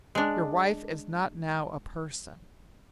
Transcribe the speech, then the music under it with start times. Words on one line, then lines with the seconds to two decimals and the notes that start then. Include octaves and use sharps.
Your wife is not now a person.
0.15 G#3 D4